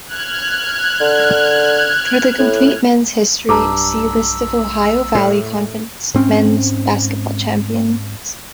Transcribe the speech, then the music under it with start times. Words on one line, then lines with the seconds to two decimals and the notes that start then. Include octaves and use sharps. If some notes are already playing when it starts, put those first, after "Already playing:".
For the complete men's history, see List of Ohio Valley Conference men's basketball champions.
0.11 F6 F#6 G#6
1.01 D3
2.38 A2
3.49 B1 G2 A5 A#5 D6 E6
5.15 A2
6.14 G#2 C4 C#4